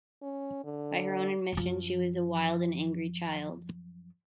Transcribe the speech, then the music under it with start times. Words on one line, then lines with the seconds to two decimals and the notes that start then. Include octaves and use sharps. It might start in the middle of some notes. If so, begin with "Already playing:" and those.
By her own admission, she was a wild and angry child.
0.22 C#4
0.64 D3
1.53 F#2 F3